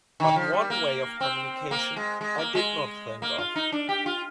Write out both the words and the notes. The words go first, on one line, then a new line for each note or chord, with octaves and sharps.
But one way of communication I did not think of.
D#3
F3
G3
A#3
C4
A#3
G#3
G#3
A#3
G#3
A#3
F4
D#4
D4
G4
F4